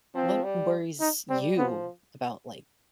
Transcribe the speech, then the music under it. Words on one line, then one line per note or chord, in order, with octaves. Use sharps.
what worries you about, like,
F3 C4
G3
D#4
G3 C4
F3 B3